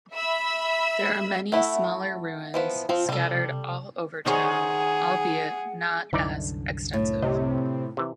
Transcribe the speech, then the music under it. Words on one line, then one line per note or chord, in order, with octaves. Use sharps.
There are many smaller ruins scattered all over town albeit not as extensive.
E5 B5 E6
A3 E4 E5 F#5
E3 F3 B3
F3 C4 F4 F5
C3 G3 A4
D#3 G#4 C5 C#5 F#5
C2 F#2 D3 E3 D#4 D5
A2
C3 D#5
C3 E3